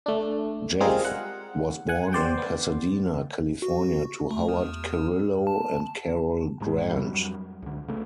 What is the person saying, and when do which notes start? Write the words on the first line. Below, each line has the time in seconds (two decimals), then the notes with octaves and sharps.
Jeff was born in Pasadena, California to Howard Cirillo and Carol Grant.
0.06 A3 D4
0.80 G3 G#3 C4 F4 G#4 A#4
1.05 F#5
1.89 F#5 G#5
2.13 C5 D5 G5
2.38 B3
3.62 F#4
4.31 A3
4.49 E2
5.47 A5
6.60 F1 G#2 G#3
6.90 F2 F#3 G3
7.62 C#2 D3
7.88 C#3 A3